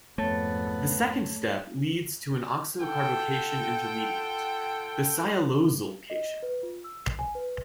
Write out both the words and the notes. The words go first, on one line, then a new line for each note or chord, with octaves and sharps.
The second step leads to an oxocarbocation intermediate, the sialosyl cation.
F2 G#2 A3 B3 C#5 A5 A6
F4 A4 F#5 G5
D#5
B4
F4
E6
C7
G#5
B4